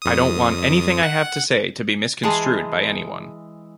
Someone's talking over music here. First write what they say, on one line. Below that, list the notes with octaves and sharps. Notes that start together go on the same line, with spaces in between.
I don't want anything I have to say to be misconstrued by anyone.
F2 D#6
F#5
E3 G#3 G#4 A5 C6